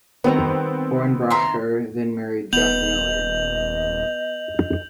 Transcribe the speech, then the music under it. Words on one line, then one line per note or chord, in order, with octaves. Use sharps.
Hornbacher then married Jeff Miller.
D#3 G3 B3 C4 A#5
E5 A#5 C6
D#1 B3 B4 D#5 G6 F7 F#7